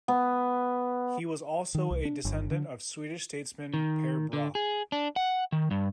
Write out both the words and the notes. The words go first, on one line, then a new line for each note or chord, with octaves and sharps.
He was also a descendant of Swedish statesman Per Brahe.
B3
D#3
C2
D4
G1
D3
D#3
D3
G#4
D4
F#5
D#3
G2